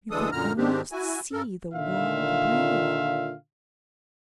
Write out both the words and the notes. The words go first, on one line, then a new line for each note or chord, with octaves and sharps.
You could almost see the world breathe.
D2 E3 G#3 D4 A4 D#6
F#2 A#2 D3 A#5 F6
G#2 D#3 G#3 C4 D4 G4
E4 F#4 G#5
G2 A4 A#4
A#2 D3 D#3 F4 E5 F5